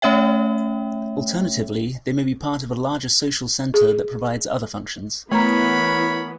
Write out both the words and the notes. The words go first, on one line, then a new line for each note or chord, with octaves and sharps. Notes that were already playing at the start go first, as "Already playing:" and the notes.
Alternatively, they may be part of a larger social center that provides other functions.
A3 C#4 C#5 E5 G5
G#4
E3 A3 B3 A#4 C#5 A#5 B5